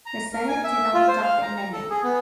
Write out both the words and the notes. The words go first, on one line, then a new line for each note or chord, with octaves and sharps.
The Senate did not adopt the amendment.
A#5
A#4
G#5
E5
F4
C5
F5
A#5
A#5
A4
G#4
B3